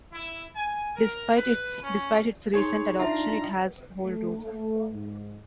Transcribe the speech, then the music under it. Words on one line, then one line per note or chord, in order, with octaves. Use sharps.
Despite its recent adoption, it has old roots.
E4
G#5
A#4
B4
C#4
D#4 G#4 C#5 C6
D4 F4 E5 A#5
A3
A3
G#2